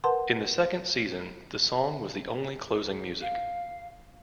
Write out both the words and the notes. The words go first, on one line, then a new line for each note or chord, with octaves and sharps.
In the second season the song was the only closing music.
A#4 B4 F#5 A5 C6
F5